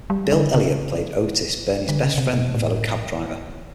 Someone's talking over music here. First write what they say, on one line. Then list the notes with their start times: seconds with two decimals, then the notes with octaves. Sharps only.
Bill Elliott played Otis, Bernie's best friend and fellow cab driver.
0.10 G3
0.32 D3
0.54 C#3
1.89 D3
2.03 C#3
2.18 C3
2.33 B2
2.54 A2